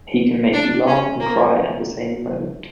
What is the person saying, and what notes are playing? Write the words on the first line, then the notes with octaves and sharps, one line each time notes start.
He can make you laugh and cry at the same moment.
D4
C#4
A#3